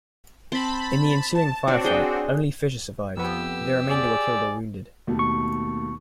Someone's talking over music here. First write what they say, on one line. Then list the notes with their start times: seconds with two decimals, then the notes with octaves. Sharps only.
In the ensuing firefight, only Fisher survived; the remainder were killed or wounded.
0.52 C4 A5 B5
1.35 A5
1.67 C4 D4 F#4 C#5 D5
1.84 G#4 G5
3.17 F2 B3 G4 E6
3.90 G#4 D5
5.07 D#2 B2 A3
5.19 C#6